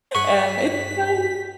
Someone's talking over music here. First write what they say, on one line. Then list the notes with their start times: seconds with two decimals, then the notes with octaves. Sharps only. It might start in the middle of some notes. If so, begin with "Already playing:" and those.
Um, it's, um,
0.15 G2 G#4 F#5 C#6 B6